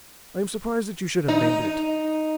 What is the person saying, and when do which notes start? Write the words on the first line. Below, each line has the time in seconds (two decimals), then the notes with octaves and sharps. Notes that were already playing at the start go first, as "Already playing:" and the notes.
I am surprised that you should have made it.
1.28 D#4